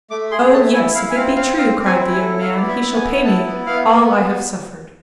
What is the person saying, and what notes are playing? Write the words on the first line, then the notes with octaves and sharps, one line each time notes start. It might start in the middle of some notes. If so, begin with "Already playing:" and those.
"Oh, yes, if it be true," cried the young man, "he shall pay me all I have suffered."
A3 D6
G#4 C6
A3 A5
E4 G#5
E4 F5
G#5
C4 F5
C4 F5
C4 F5
C4
G#5
E4
G#5
A4
E4 F5
B3 D5
E5
B3
G#5
E4
E4 A5
B3
B3 F5
B3